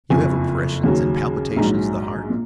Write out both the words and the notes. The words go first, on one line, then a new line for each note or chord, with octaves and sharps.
You have oppressions and palpitations of the heart?
F#1 F2 F3 G#5
D#2 C#3 F#3
A#1 G#2 F#3 A#5
A#2